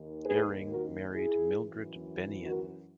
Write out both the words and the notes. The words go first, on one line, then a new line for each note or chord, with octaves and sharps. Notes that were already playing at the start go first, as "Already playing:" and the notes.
Eyring married Mildred Bennion.
Already playing: D#2 D#3
G#4 B4
F#4 A#4
E4 G#4
F#2 E3
F#4 A#4